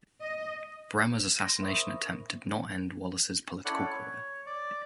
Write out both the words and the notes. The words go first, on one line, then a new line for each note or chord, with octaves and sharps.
Bremer's assassination attempt did not end Wallace's political career.
D#5
C6 A#6
A#4 C5 E5 B5 C#6 D#6
C#4 E4 A4 D5 F#5 F#6
C#5
D5